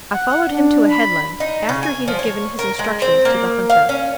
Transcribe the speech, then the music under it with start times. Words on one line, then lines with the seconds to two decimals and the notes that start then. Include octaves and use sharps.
I followed him to a headland, after he had given his instructions to the hunter.
0.13 F#5
0.49 D4
0.90 B5
1.40 D#4
1.69 C#3
1.83 G#5
2.08 F3
2.19 C#5
2.59 A#4
2.79 G#3
3.02 C4
3.25 A#3
3.70 F5
3.89 C#4